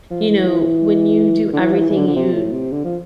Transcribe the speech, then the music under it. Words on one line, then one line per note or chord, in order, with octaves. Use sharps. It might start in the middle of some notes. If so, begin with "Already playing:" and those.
you know, when you do everything you
F3
E3
E3
D3
E3
F3
E3
E3
D3
D3
C3
A2
C3
D3
F3